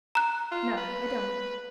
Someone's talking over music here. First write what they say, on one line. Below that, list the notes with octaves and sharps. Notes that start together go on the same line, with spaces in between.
"No, I don't."
A#5 F#6
F4
B4